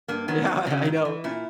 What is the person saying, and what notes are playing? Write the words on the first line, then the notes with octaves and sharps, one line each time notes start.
Yeah, I I know.
G2 A#3
D#3 F#3 B3
E2
C#3 F#3
G#2
E3
A#2 E4